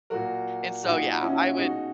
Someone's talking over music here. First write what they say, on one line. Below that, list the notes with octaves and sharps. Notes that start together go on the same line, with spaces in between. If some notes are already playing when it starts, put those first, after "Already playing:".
and so, yeah, I would
A#2 F#3 F#4 A#4
A#2 F#3 D#4 F#4
C#4 E4
B2 G#3 D#4 F#4